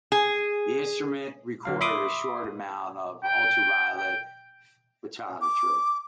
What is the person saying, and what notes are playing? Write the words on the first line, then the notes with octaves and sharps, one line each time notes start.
The instrument recorded a short amount of ultraviolet photometry.
G#4
D3 F#3 F5
E5 B5 C6 D6 D#6
G5
G5
D6